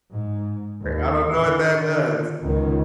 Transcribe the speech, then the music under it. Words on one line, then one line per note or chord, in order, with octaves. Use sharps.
I don't know what that does,
G#2
D#2
D3 D#3
C#2 D#3